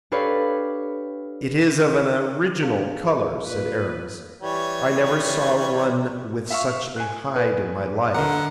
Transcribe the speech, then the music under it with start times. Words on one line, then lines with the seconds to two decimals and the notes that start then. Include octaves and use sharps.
"It is of an original color," said Aramis; "I never saw one with such a hide in my life."
0.12 D4 G4 A4 B4 C#5 F5
2.63 D4 G#4 F5
3.47 A#2 B4
4.41 E3 G3 C#5
6.50 E5 F5 C#6
6.96 G#5 F#6
7.36 B4
8.14 D3 A#4 D#5 F#5